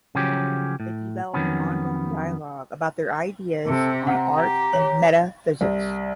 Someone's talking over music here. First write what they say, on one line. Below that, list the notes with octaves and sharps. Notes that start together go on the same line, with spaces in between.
They developed an ongoing dialogue about their ideas on art and metaphysics.
C#3 F3 F#3 C#4 G4
A2
F2 B2 D#3 F#3 B3 C#4
C3 A4
F#5 A#5
G4
C#5
C2